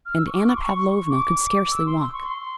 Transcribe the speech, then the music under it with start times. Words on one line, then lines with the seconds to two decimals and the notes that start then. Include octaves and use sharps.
And Anna Pavlovna could scarcely walk....
0.06 F6
0.17 E6
0.27 C#6
0.32 D6
0.48 C#6
0.56 C6
0.63 C#6
0.79 C#6
0.94 C#6
1.09 D6
1.71 E6
1.86 C6
2.01 C6
2.13 C#6
2.24 C6